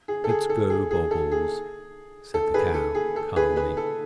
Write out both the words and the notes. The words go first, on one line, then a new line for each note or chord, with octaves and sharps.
"It's Gobobbles," said the Cow, calmly.
G#4
A4
G#4
A4
G#4
G#4
A4
G#4
A4
G#4 B4
A4
G#4
A4
G#4 B4
G#4 B4
A4